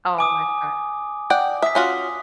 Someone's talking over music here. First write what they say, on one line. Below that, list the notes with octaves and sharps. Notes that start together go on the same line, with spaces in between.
Oh my gosh.
G#5 D6 D#6
D5 F#5 G5
E5 D#6 B6
C#4 F4 F#4